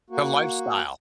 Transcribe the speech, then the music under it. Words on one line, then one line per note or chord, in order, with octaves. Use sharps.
The lifestyle
A#3 F#4